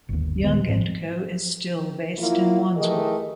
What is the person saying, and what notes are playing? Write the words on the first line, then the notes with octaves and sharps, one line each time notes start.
Young and Co is still based in Wandsworth.
G1 D#2
A#2 D#3 G3 B3
A1 G#2 B3 C4
F#3 A#3 E4 F4
E3 A3 G4 G#4 A#4 D#5